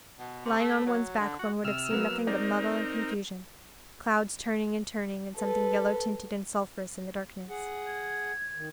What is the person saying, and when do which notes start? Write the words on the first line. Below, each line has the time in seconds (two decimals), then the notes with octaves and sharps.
Lying on one's back one would have seen nothing but muddle and confusion--clouds turning and turning, and something yellow-tinted and sulphurous in the darkness.
0.19 B2
0.45 C3
0.59 A3
0.86 F#3
1.20 D3
1.39 F#4
1.64 C3 E6 F6
1.91 F#3 A#3 B3
2.27 C4 D#4 A#4 D5
5.39 A4 B4
7.50 G#4 F#5
7.86 G#6
8.56 D#3